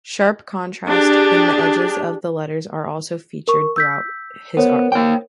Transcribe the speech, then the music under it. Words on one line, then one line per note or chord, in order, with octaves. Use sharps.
Sharp contrast in the edges of the letters are also featured throughout his artwork.
D4 G4 G#4
A#4 C#6
E6 G6 B6
B3 A#4 C5 C#5
A#3 G5